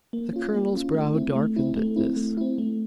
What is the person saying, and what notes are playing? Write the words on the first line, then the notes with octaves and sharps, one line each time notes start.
The Colonel's brow darkened at this.
A#3
C#4 F4
A#3
C#4 F4
A3
C4 E4
A3
C4 E4
A3
C4 E4
A3
C4 E4
A3